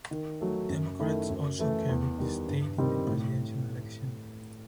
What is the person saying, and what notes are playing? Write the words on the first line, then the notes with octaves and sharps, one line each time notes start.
Democrats also carried the state in the presidential election.
D#3
F#3 A3
F#2
D#3 A3 E4
F#2
E3 A3 E4
E2
D#3 G3
G2
D#3 G3 C4 D#4
A2